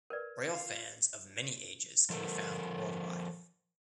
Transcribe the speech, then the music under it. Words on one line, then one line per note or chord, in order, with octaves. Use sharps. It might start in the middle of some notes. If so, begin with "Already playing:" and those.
Railfans of many ages can be found worldwide.
A#4 B4 D5
F4 F5
F3 A4 A#4